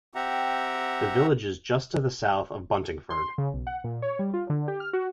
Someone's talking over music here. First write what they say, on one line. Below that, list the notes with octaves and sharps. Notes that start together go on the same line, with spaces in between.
The village is just to the south of Buntingford.
C4 G4 E5 F#5 A#5
C6
C#3
B1
F#5
A#2
C#5
G3
F4
D3
G4
F6
F#4